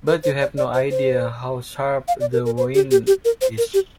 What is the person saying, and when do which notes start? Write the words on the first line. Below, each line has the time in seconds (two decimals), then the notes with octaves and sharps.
But you have no idea how sharp the wind is.
0.07 A#4
0.24 C5
0.41 D5
0.57 D5
0.74 C5
0.91 C5
2.08 F5
2.21 D5
2.33 A#4
2.46 A#4
2.58 C5
2.75 G4
2.91 G4
3.07 G4
3.25 A#4
3.41 C5
3.58 A#4
3.74 G4